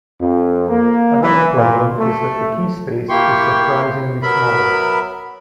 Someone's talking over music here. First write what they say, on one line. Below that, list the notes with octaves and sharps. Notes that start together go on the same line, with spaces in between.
Another problem is that the keyspace is surprisingly small.
F2
A#3
E3
A#2
A3
A#3 E4 G4 G5 C6 C#6
F#3 B3 A#4 E5 B5